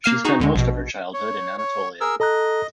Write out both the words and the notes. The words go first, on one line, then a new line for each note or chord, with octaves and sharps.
She spent most of her childhood in Anatolia.
A#3 F5 F6
D#4 F#4 G#4
D2 D3 G#3
A#1 B2
C#5
C#5
G#4 A#4 E6
A4 D#5 A#5 F#6